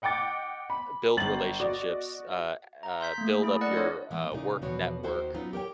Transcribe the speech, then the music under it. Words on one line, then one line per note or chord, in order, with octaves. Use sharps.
build relationships, uh uh, build up your, uh, work network,
D#5 F#5 G5 D6 A6
B5
G1 A6 F#7
F#4 D5 D#5
A#5
C6 G6 B6
A3 A#3
A3 E4 G#4
A#4 D5 D#5 F#5 F#6
D4 F4 C#5
E3 G#3 B3
A#2 C#3 D#4
E2 B2 F3 B3 F#4 C#5
D#2 D#3 A#3 E4 F#4 C5
F#3 B3 C#4 D#4 F4
G4 A#4 C#5 G5